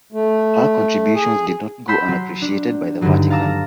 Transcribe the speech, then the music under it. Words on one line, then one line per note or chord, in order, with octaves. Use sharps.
Her contributions did not go unappreciated by the Vatican.
A3
G#4
F#5 B5 C6 E6 G6 B6
F#3 C6
D4
G2 D3 D#3 F#3 A3
F5 A5 A#5 D6 E6 A#6